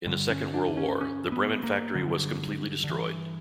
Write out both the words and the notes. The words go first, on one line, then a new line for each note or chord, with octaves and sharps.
In the Second World War, the Bremen factory was completely destroyed.
G2 D3 G3
C#4
D4
C#4
C#4
B3
A#3
G2 D3 F#3
D3
E3